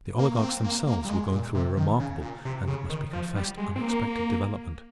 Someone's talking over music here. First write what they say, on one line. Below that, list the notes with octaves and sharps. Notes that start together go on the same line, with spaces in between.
The oligarchs themselves were going through a remarkable and, it must be confessed, unexpected development.
A#3
A#3
C4
A#3
A#3
G3
G#3
A#2
C3
D#3
C#3
A#2
C3
C#3
D#3
F3
G3
G#3
C4
A#3